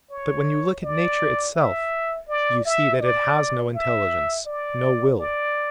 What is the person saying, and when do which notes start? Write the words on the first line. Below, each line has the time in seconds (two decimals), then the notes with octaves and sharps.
But when you look at Nature itself, you see that it has no intelligence, no will.
0.11 C#5
0.84 D5
1.56 E5
2.29 D5
2.66 E5
3.01 D5
3.75 E5
4.47 D5
5.20 D5